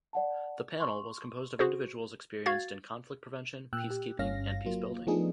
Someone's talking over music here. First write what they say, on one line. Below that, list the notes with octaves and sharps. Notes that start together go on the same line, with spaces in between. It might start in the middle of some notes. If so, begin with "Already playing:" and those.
The panel was composed of individuals experienced in conflict prevention, peacekeeping and peacebuilding.
D5 F#5 A5
C6 C#6
F#4 G#4 C5
F#4 F5 G#6 A6
A#2 G5 E6 F#6
G4
G1 G2 C#4 F5 A#6
F#3 A#3 F4
F3 A3 B3 D4 D#4 G#4